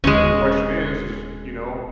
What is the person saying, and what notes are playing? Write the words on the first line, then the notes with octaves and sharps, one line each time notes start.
The question is is you know,
D#1 G#3 C#4